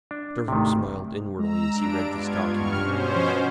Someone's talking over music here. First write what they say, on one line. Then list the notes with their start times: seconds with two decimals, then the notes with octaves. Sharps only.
Durham smiled inwardly as he read this document.
0.11 D4
0.48 G#1 D2 C3 D#3
1.38 G#3 A#5 E6
1.71 G2 D4 D7
2.15 B3 F4 G#6
2.47 G2 C#6 F6
2.79 B2 C#4 C5
3.15 F3